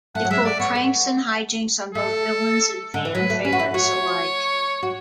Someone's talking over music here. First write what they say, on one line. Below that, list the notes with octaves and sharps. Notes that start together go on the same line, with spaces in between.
They pulled pranks and hijinks on both villains and fan favorites alike.
A3 F#5
F#3
G#3 E5
A3 D5
B3 C#5
B3
A3 A4
D3
E3
F#3 B4
A3
C#4 B4
F#4
E4
F#4 C#5
F#4